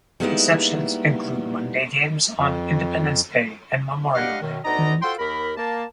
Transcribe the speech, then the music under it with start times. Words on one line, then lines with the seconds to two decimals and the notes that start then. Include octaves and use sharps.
Exceptions include Monday games on Independence Day and Memorial Day.
0.20 G3 G#3 A#3 B3 D#4 E4
2.38 F2
4.15 G3 D4 G4 D#5 F5 F#5
4.42 F#2 B2 D#3
4.64 D2 B3 D#4 D5 D#5 A#5
5.02 F4 F#4 A4 C5 G5 C6
5.19 D#2 A#4 B5
5.57 A#3 A5